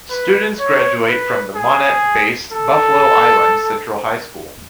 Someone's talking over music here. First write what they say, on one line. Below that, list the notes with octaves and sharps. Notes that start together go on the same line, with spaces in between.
Students graduate from the Monette-based Buffalo Island Central High School.
B4
C#5
B4
G#4
A4